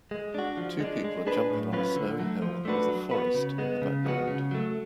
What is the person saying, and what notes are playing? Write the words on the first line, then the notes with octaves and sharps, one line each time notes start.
Two people are jumping on a snowy hill with a forest in the background.
G#3
D4 F#4
F3
G#3 D4
G#3
D4 G#4 B4
A2
F#3 C#4 F4 B4
D3
F#3 A3
F3
A3 D4 F#4 B4
F#3
B3 F#4 B4
C#3
G#3 B3
C#3
F3 G#3 B3 F#4
C#3
F#3 A3